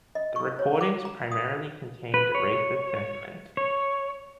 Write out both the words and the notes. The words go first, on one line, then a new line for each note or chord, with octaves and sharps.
The recordings primarily contained racist sentiment.
D#5
C#6
C#5
D6
A#5
D#6
B4
C#5
C#5